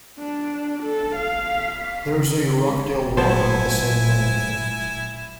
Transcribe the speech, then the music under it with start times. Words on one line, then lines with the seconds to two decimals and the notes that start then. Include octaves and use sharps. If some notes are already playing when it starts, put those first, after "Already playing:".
There is a Rochdale Ward with the same name.
0.19 D4
0.83 A4
1.16 F5
2.13 C#3
2.68 G#3
2.82 G#4
3.17 A#2 F3 F#3 B3 E4 C5 G#5 A5